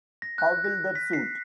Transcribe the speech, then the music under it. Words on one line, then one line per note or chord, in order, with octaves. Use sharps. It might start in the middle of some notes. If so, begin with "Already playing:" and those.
How will that suit?
A#6
F#6
A#6
B6
C7